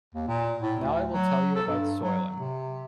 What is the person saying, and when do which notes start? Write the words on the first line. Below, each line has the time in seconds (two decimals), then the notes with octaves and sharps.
Now I will tell you about soiling.
0.15 D#2
0.28 A#2
0.61 A2
0.81 D2
1.13 F#3
1.56 A4
1.68 G2
2.02 F#3
2.36 C3